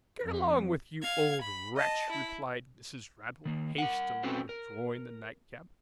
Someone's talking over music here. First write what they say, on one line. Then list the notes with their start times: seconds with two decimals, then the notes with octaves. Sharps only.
'Get along with you, old wretch!' replied Mrs. Raddle, hastily withdrawing the nightcap.
0.24 F2
1.02 F5 G#6
1.41 B5
1.77 D#5 A5
2.10 E4
3.45 D#3 A#3
3.78 A#4 F#5
4.23 C4 C#4 F#4 A4 B4 C5
4.49 A#4